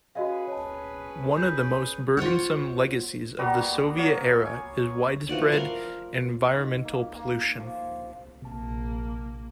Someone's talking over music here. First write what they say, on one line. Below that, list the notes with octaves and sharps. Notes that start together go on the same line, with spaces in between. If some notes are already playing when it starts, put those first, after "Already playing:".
One of the most burdensome legacies of the Soviet era is widespread environmental pollution.
C#4 F#4 G#4 B4 D#5 F5
C#5 A5
G6
F4 C5 C#5 F#5
G3 A#3 B3 F#4
F#3 C#5 F5
G#5
E3 F3 F#4 D5
A#4 D5 F5
G#2
A#3
A#3
F3
A#1 C3 A#3 A5